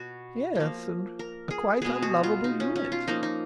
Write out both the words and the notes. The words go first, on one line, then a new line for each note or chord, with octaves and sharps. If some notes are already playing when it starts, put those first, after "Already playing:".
Yes, and a quite unlovable unit.
Already playing: B2 F#4
F3 A#3
A#4
G#4
B2 G#3 B3 G#4
F#4
F4
D#4
C#4
C#4
F4
F3 A#3 D#4
D#4